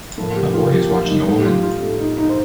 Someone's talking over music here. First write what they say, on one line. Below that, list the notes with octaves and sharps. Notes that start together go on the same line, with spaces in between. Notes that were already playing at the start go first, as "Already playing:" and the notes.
A boy is watching a woman.
A2 F3 A#3 A4
G4
F4
A2 F3 A#3 G4
F4
D#4
A2 A3 D#4
G4
F4
F4
A2 A3 G4
D#4
D#4
C5